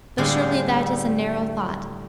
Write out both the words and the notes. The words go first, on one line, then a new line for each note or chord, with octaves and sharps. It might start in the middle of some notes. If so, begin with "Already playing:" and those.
But surely that is a narrow thought.
A2 D3 G3 G#3 F5 F#5